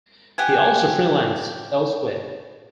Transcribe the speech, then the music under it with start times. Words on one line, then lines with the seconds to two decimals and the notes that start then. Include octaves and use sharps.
He also freelanced elsewhere.
0.38 G4 F#5 G#5